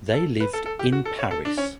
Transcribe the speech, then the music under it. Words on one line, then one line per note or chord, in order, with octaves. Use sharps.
They lived in Paris.
A4
B4
A4
A4
G4
F#4
A4
C#5
A4
D4
C#4